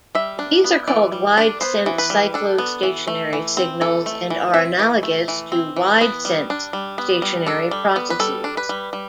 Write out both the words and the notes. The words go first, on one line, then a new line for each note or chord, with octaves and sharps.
These are called wide-sense cyclostationary signals, and are analogous to wide-sense stationary processes.
G3 E5
D4
B3
E3 D5
G3
D4
B3 C5
E3
B4
G3
D4 A4
B3
E3
A3
E3
C4
E3 A4
A3
E3
C4 E5
E3
A3
E3
C4
E3
B3
G3
D4
G3
B3
G3
D4 A4
G3
B3
B4
G3 A4
D4
B4
G3
G3